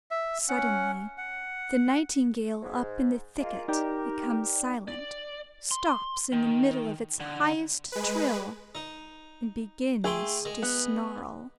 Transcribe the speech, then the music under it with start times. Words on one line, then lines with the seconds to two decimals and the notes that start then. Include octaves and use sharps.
Suddenly the nightingale up in the thicket becomes silent, stops in the middle of its highest trill, and begins to snarl.
0.11 E5
0.49 C#4 F#5
1.18 F#5
2.62 G#2
3.40 G#3 A#3 F4
3.68 D#4 G4 A#4 D5 G5
4.88 D5
5.71 C6
6.32 D#3
7.20 D3
7.92 G#3 B4
8.75 D#4
10.04 A3 G#4 G5 C6
10.45 G#3
10.62 B3